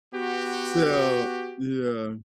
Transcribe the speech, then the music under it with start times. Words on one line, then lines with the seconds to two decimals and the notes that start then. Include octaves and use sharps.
So, yeah.
0.14 B3 F#4 G4